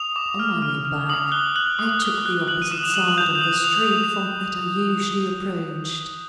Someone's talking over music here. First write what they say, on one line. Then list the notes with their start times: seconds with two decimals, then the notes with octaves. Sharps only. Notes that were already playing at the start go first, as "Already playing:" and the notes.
On my way back I took the opposite side of the street from that I usually approached.
Already playing: D#6 F7
0.16 D6
0.39 F6
0.62 F6
0.85 F6
1.10 D#6 F#7
1.32 F#6 G7
1.55 F#6 F#7
1.79 D#6
2.02 F#6 G7
2.26 F#6
2.48 F#6 F#7
2.62 D#7
2.71 D#6 E7
2.83 F7
2.94 D#6 F#7
3.08 F#7
3.18 G6 F7
3.35 F7
3.41 D#6 F#7
3.64 D#6 F7